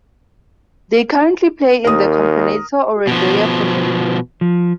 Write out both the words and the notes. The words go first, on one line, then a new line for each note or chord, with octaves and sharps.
They currently play in the Campeonato Uruguayo Femenino.
D#2 A#4 D#6
B2 F3
F3